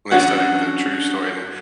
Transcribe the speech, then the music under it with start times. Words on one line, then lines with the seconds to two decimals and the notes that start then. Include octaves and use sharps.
and they studied the true story, and,
0.12 C#4 D4 F#4 F#5